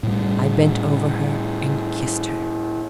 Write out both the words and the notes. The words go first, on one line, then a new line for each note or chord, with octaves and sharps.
I bent over her and kissed her.
A2 G3